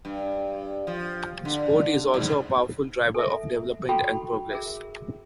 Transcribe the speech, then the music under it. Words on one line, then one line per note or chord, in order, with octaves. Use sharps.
Sport is also a powerful driver of development and progress.
G2
F3
D3
G#2
A4 E5
F#4 A4 G5 B5 C#6
G#4 A#4 E5